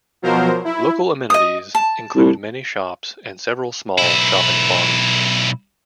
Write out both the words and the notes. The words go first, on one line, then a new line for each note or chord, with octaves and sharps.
Local amenities include many shops and several small shopping plazas.
B2 F3 F#3 A#4 C5
E4
D#5 D#6
A5
C2
B1 E4